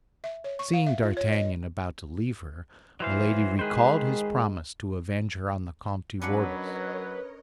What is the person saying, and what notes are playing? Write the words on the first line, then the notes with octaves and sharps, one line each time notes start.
Seeing d'Artagnan about to leave her, Milady recalled his promise to avenge her on the Comte de Wardes.
E5
C#5
C#6
F5
E5
F4
C#5
D#5
E3 F#3 C5 F5
D#3 G#3 G#4 B4 C5
F#3 C#4 D4 A#4 B4 C#5 D#5 F#5